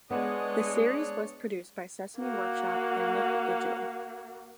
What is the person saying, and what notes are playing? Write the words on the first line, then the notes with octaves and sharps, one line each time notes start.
The series was produced by Sesame Workshop and Nick Digital.
G#3 B3 D4 C#5 D#5 F#6
A#3 F#4